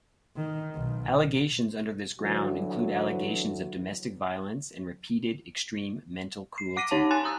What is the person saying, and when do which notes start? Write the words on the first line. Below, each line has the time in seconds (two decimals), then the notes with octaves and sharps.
Allegations under this ground include allegations of domestic violence and repeated, extreme mental cruelty.
0.36 D#3
0.75 B1
2.20 D3 E3 F#3
6.58 C7
6.76 F#5 D6 A#6 B6 D#7
6.91 D#4 C#5 A5
7.11 G#5 C6 F#6 A6
7.24 A#5 D#6 E6